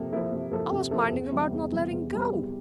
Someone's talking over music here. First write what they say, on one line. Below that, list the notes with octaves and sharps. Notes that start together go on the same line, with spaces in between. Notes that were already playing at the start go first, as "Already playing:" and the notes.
"I was minding about not letting go."
Already playing: C3 F3 A#3 A4
F3 A#3 E4 A4
C3
F3 A#3 E4 A4
C3
F3 A#3 E4 A4
E2
C3 E3 G3
E2
C3 E3 G3
E2
C3 E3 G3
E2